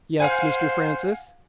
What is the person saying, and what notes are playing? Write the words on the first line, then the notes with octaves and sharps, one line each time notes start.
"Yes, Mr. Francis?"
C5 F5 F#5 G#5